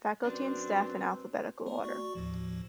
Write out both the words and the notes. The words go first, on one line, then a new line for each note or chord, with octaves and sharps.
Faculty and staff in alphabetical order.
F#2 C4 D4 B4
A3 B3
F#4 D5 C#6
D#2 A2 F3